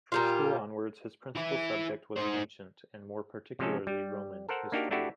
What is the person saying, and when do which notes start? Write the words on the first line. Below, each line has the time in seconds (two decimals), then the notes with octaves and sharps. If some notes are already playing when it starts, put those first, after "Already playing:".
From school onwards his principal subject was ancient and more particularly Roman history.
0.12 A#2 G3 F4
1.35 E3 E4
2.16 D#4 C5
3.59 C3 F3 G#3 C#4 A4
3.87 G3
4.49 A4 A#4 C5 F#5
4.72 A#3 D4 D#4 F#4 G4 A#4
4.91 A3 D4 E4 F#4 G4 A4